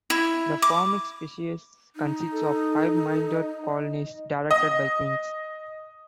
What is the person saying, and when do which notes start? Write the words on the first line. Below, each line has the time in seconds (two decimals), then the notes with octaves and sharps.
The Formic species consists of hive-minded colonies directed by queens.
0.10 E4
0.62 D6
1.96 D#4
2.32 A4
3.32 D#5
4.51 D#5 D#6